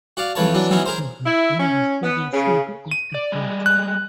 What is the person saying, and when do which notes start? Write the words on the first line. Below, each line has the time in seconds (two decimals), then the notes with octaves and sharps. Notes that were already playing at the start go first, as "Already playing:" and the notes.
It seems to have been the staple food of the Greeks.
0.17 F#4 D5 F5
0.35 F2 E3 B4 C#5 A5
0.54 E3 F#3 D4
0.71 E3 F#3 G#3 B3 C#4 D#4
0.86 G#4 A#4 C5
1.26 E4
1.60 C#4
2.03 B3
2.33 C#3
2.91 D#7
3.14 D5
3.32 G3 G#3
3.66 F#6